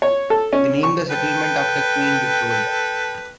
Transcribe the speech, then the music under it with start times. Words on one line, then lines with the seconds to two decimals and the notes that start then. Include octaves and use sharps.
They named the settlement after Queen Victoria.
0.02 C#5
0.30 A4
0.53 C#4
0.83 C#6
1.11 A4 B4 G5